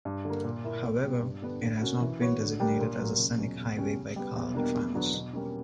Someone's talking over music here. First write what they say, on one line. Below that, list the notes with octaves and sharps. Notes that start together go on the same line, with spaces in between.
However, it has not been designated as a scenic highway by Caltrans.
G2
D3 A#3
A#2
A#3 E4
B2
G3 B3
G2
D3 G3 B3 D4
D3
A#3 C#4 F#4
E3
B3 F#4 C#5
D3
G3 A#3 D4 G4
A#2
F#3 A#3
C#2
B2 F#3 C#4
E2
C#3 G3 C#4 G4
C#3
G3 B3
E2
B2 G3 A#3 D4
E2
D3 F#3 B3 D4
B2
G3 A#3 C#4